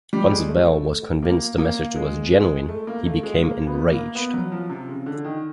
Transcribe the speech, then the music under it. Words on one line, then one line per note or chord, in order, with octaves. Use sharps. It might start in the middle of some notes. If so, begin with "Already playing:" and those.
Once Bell was convinced the message was genuine, he became enraged.
G3
G#3
A3
A#3
A#3
G#3
G#3
A3
A#3
A3
G#3
A#3
B3
A#3
B3
F#3
F3
C3
C#3
D3
D#3